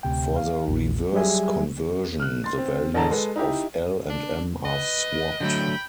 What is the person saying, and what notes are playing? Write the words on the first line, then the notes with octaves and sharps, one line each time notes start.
For the reverse conversion, the values of L and M are swapped.
D2 C3 G5
F5
A#1 E2 A#2
F#3 G3 G4 G#4 E5 G#5
F6 F#6
C6 A6
C4
A1 D3 A4 A5 A#5
G#3 A4 B4
D#4 E4 G4
D4
B4 D#5
D3 F#3 A3 G5 B5